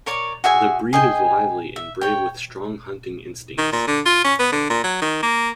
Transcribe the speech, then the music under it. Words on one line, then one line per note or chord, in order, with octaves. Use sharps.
The breed is lively and brave with strong hunting instincts.
A#4 C#5 D5 C#6
F#4 G#4 E5 G#5
G#4 D#5 G5 G#5
E5
C#5 G5
D#3
A#2
D3
F4
C#4
B3
D3
A#2
F#3
D#3
A#3